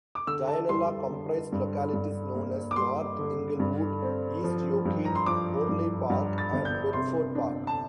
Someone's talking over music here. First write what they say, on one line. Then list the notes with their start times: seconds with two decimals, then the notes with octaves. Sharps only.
Dianella comprised localities known as North Inglewood, East Yokine, Morley Park and Bedford Park.
0.15 D6
0.27 D3 E6
0.47 A5
0.69 G3 C6
1.11 D3
1.52 G2
1.93 G2
2.35 A#3
2.71 D6
2.76 G3 C6
3.19 D3
3.60 G2
4.02 C4
4.44 F3
4.85 G2
5.05 A#5
5.15 C6
5.26 F3 D6
5.69 G2
6.10 G2
6.38 A6
6.52 G1
6.65 G6
6.93 C3 C6
7.35 D4
7.67 A5